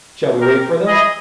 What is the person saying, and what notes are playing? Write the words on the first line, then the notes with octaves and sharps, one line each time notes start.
"Shall we wait for them?"
G4 A#4
E4 G#4 D#5